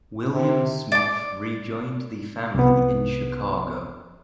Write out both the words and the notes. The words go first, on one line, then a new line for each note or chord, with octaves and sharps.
William Smith rejoined the family in Chicago.
C3
D5 D6
C2 B3